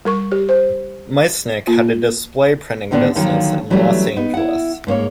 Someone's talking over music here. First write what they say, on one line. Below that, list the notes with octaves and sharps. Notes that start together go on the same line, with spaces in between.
Maisnik had a display-printing business in Los Angeles.
G3 A#4 C#6
G4
C5
A#3 F4
A2 D3 D#3 B3 D4
D3 D#3 F3 F#3 A#3
E3 F#3 G3 A3 C#4 D4
B3 D#4
E4 F#5
G#2 A#3 C5 C#5